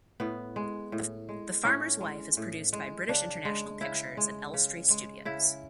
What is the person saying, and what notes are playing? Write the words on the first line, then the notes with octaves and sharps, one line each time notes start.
"The Farmer's Wife" is produced by British International Pictures at Elstree studios.
A2 B3
G#3
A2
G#3
A2 C#4
G#3
A2
G#3
C#3 D4
G#3
C#3 E4
G#3
C#3
G#3
C#3 E4